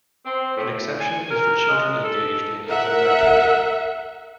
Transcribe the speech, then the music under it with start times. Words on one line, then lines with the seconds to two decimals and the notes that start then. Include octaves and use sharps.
An exception is for children engaged in adult activity.
0.25 C4
0.55 A2
0.99 G#5
1.30 A#4
1.69 G#3
2.04 A4
2.66 A#4 E5 F#5